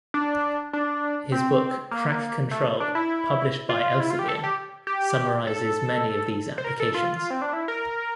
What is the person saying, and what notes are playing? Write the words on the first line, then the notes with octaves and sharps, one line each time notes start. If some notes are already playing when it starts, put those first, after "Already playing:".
His book "Crack Control" published by Elsevier summarizes many of these applications.
D4
D4
C4
A#3
A3
D4
E4
F4
E4
F4
G4
A4
G4
G4
A4
C5
A#4
A4
F4
C4
D4
E4
A#4